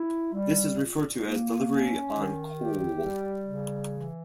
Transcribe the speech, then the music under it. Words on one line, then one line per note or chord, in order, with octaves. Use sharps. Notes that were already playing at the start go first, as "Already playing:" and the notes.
This is referred to as "delivery en caul".
Already playing: E4
G3
A#2
A#3
C#4
D#3
G4
G3
C#3
E3